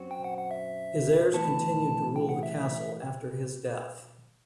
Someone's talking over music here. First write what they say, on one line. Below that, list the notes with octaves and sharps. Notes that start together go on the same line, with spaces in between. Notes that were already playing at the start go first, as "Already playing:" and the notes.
His heirs continued to rule the castle after his death.
Already playing: F#2 F#3 C4 F#4
G5
F#5
F#5
E5
A2 E3 B3 A5
G5
F#5
E5